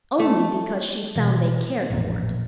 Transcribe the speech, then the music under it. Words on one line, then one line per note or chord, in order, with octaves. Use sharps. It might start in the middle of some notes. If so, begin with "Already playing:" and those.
Only because she found they cared for it.
A3
B2 E3
A1 F2 A#2